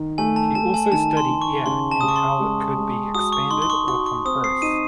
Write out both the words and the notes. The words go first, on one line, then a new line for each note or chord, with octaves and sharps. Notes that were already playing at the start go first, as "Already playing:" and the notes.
He also studied air and how it could be expanded or compressed.
Already playing: D#3
A3 G#5
A5
A3 A5
G#5
D#3 A5
C6
D#3
C#6
C#3 C6
A5
C#3 D#6
C#6
C6
G#3
G#3
F#4 D#6
C#6
D#4 C6
C6
C#6
F#4 C#6
C#6
C4 D#6
C7
D#4 D#7